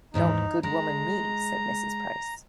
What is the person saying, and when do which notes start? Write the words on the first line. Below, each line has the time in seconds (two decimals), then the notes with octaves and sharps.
"Don't 'good woman' me," said Mrs. Price.
0.14 D#2 G#2 E3 D#4
0.63 G#3 A#5